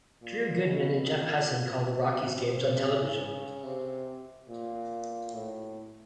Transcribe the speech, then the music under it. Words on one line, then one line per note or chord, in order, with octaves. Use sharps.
Drew Goodman and Jeff Huson call the Rockies games on television.
A#2
B2
A#2
B2
C3
C#3
C3
A#2
A2